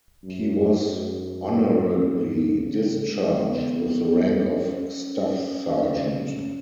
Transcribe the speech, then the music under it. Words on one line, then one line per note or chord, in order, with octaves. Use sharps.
He was honorably discharged with the rank of staff sergeant.
F#2
F#2
G#2
C#3
G#3
B3
C#4
C#4